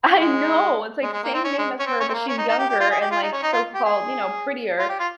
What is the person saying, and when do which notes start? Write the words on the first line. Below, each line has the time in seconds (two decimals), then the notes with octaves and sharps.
I know, it's like, same name as her, but she's younger and, like, so called, you know, prettier
0.19 G#3
1.03 G#3
1.13 G#3
1.23 A#3
1.34 C4
1.44 C#4
1.58 G#3
1.79 C#4
1.86 C4
2.00 C#4
2.09 C4
2.14 A#3
2.28 C#4
2.38 D#4
2.48 D#4
2.59 G4
2.69 G4
2.80 F4
2.91 G#4
3.01 G4
3.11 F4
3.22 D#4
3.32 C#4
3.42 D#4
3.53 F4
3.74 G4
3.85 G#4
4.79 F4
4.89 G4
5.00 F4